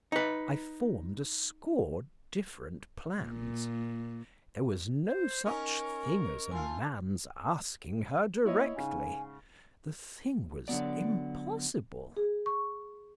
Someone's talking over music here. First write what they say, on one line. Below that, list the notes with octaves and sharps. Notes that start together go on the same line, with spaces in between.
I form'd a score different plans.-- There was no such thing as a man's asking her directly;--the thing was impossible.
D#4 B4
A#2
C5
C#4 D#4 A#4 G#5 C#6
A3 F4 G#5 C6
A#3 E4 C#5 D#5
G#2 C#3 G#5
D3 F#3 B3 D5
G#4
C#6